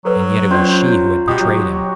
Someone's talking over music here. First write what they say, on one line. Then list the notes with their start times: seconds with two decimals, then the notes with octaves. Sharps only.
And yet it was she who had betrayed him.
0.05 F#3 A4 B4
0.50 C#4 F4 C5 D5
1.28 B2 F#4 G4 D#6
1.40 F#3